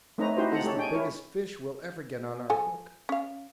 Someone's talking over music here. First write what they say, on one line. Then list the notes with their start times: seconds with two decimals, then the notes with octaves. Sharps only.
"He's the biggest fish we'll ever get on our hook."
0.18 A3 C4 D#4 B4 C#5 A#5
0.37 D#4 E4 F#4 G4 B4 C5
0.52 C4 A4 F#5 A#5
0.63 G#3 G4 A4 C#5
0.77 D4 G5 G#5
0.93 E4 A#4 C#5
2.50 F3 A4 G#5
3.09 C#4 F5